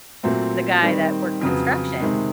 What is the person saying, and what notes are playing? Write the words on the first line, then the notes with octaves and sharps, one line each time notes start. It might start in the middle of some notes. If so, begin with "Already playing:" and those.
the guy that worked construction,
A#2 F#3 A3 C4
D#3 G3 C4
F2 C#3 F#3 B3
C3 D#3 G#3